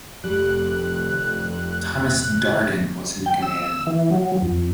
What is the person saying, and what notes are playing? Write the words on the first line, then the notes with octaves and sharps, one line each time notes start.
Thomas Darden was in command.
F1 F2 C3 G3 A3 F#6
G5
E6
E3
F#3
F2